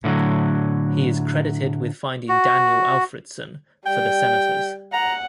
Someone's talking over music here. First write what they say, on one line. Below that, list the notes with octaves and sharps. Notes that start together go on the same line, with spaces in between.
He is credited with finding Daniel Alfredsson for the Senators.
A2 D3 F3 F#3
F#4
G3 G5
F#5 A#5